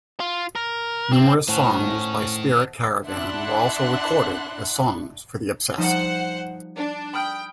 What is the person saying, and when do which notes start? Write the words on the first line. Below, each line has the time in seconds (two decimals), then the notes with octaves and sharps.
Numerous songs by Spirit Caravan were also recorded as songs for The Obsessed.
0.20 F4
0.55 A#4
1.12 C4
1.48 A2 D#3 C#4 C5 F#5 A5
3.05 D4 E4 E5 F#5 C6 F#6
5.77 F3 G3 D#4 C5 F#5
6.76 D4
7.13 G5 B5 D#6 F6